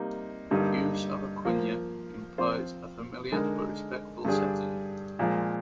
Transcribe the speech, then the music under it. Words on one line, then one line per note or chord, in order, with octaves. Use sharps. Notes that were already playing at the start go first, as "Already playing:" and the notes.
Use of a kunya implies a familiar but respectful setting.
Already playing: C3 G3 A#3 D#4
G2 D3 G3 A#3 D#4
F3 A#3 F4 C5
F3 C4 F4 C5
D3 G#3 D#4 A#4
G2 D3 G3 D4 G#4
A#2 F3 G#3